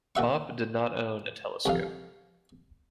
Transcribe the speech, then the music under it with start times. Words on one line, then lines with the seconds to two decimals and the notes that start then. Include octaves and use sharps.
Bopp did not own a telescope.
0.15 A#2 F#4 E5 C#6
1.66 C2 F2 F5